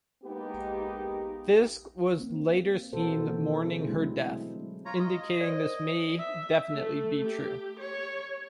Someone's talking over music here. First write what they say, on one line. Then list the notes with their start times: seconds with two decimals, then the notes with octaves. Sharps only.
Fisk was later seen mourning her death, indicating this may definitely be true.
0.24 G#3 A#3 B3 D#4 G4
2.19 A#3 C4
2.93 B2 C4 F#4 A4 A#4 C5
3.20 E3 A#3 C5
3.64 D3 C4 E4 G#4 C5
3.87 F#3 G#3 A3 C4 D4 E4
4.86 F4 C#5 A#5
4.99 D#5
5.41 A#4 C5 D5
6.19 E5
6.71 A3
7.25 G4
7.79 C#5